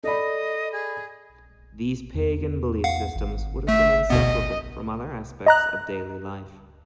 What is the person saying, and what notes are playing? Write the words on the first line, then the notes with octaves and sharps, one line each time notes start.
These pagan belief systems would have been inseparable from other aspects of daily life.
A4 D5 D#5 B5
G#4
E2
F5 F#5
G#1
A3 E5
D2 B2 B3 D#5
D#5 A#5 F#6